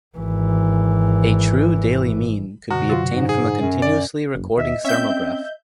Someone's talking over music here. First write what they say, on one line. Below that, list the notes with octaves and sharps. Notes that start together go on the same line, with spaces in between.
A true daily mean could be obtained from a continuously-recording thermograph.
G#1 E3
F#2 B2 D3 F#4
C3 F#3 F4
G#2
G#4
F#2
D5
F#1
D#2 D#5 E5
C4 C#4 E5 G6